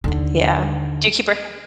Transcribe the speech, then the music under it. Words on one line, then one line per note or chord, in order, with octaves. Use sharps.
Yeah. Do you keep her hair
D#2 D3